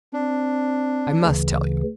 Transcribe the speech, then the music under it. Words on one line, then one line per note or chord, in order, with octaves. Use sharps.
I must tell you.
C4 D4
D2 C#3 E3